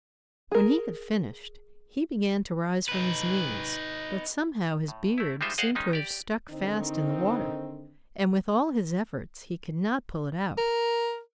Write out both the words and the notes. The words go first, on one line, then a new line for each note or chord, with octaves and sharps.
When he had finished he began to rise from his knees, but somehow his beard seemed to have stuck fast in the water, and with all his efforts he could not pull it out.
G#4 A#4
D#4 B4
A2
A3 E4
G3 G#3 D#4 F4 C5 E5
G#4 C5 D5 D#5 F5 F#5
D#3 G#3 C#4 D#4
G4 D5
D3 D#3 C4 D#4
A#4